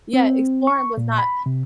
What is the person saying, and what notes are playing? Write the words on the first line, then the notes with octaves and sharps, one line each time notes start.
Yeah, exploring was not
C4
C#6
A#2
B5
C3